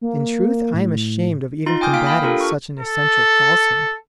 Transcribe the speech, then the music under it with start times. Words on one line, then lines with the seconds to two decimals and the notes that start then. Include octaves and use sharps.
In truth I am ashamed of even combating such an essential falsehood.
0.01 A#3
0.74 A2
1.66 D#4 F4 C6 A6
1.81 G5 G#5 D6 D#6 F6 G6
1.93 A#3 F5 F6 B6 D7
2.06 F5 G5 B5 D#6
2.23 D4 F4 G4 A4 A#4
2.41 C#6 F6
2.79 A4